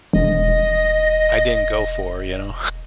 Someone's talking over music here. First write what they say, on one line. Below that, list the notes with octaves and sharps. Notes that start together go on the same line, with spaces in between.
I didn't go for, you know?
E1 D#5